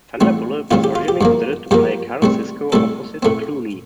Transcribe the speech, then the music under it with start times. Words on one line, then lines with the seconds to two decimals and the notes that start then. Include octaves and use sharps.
Sandra Bullock was originally considered to play Karen Sisco opposite Clooney.
0.21 A1 A2 G3 C4
0.71 A1 A2 G3 C4 F4
0.84 G4
0.95 F4
1.08 G4
1.21 G2 F3 A#3
1.71 G2 F3 A#3 G4
2.22 A2 G3 C4
2.72 A2 G3 C4 A4
3.23 A2 A3 C4